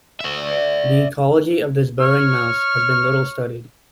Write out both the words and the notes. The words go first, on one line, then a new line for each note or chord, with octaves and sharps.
The ecology of this burrowing mouse has been little studied.
D5 E5
C#5 C#6 F6